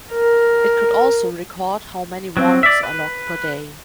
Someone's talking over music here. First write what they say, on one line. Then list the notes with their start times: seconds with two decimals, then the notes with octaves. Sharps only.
It could also record how many warnings are logged per day.
0.13 A#4
2.37 F#3 C4
2.63 D5 E5
2.83 B4